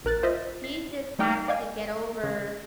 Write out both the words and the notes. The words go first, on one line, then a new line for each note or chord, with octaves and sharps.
she just has to get over
A#1 A#4 F#6 A6
F4 C5 D#5 E5
C7
G3 A3 D#4 G5 D6 F6
D5 D#5 F5 G5 G#5
C#3